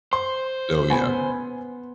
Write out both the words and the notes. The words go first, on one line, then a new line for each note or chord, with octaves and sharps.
Oh, yeah.
C5 C6
B3 G#5 B5